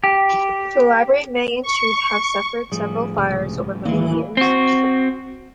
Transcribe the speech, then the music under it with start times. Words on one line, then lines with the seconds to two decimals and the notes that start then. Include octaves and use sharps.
The library may in truth have suffered several fires over many years.
0.04 G4
1.62 C#6
2.72 A2 F3 G3 G#4
3.17 C#2 C3
3.85 D#2 D3 E3 A#3
4.37 C4 F#4